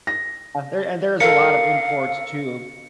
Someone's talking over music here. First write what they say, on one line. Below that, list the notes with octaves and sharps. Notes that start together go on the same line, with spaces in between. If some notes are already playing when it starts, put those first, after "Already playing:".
there and there's a lot of imports too.
A#6
A4 A#4 F5 C#7